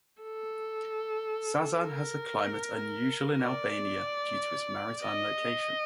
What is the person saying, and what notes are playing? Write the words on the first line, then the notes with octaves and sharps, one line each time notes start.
Sazan has a climate unusual in Albania due to its maritime location.
A4
A#4
D5
D#5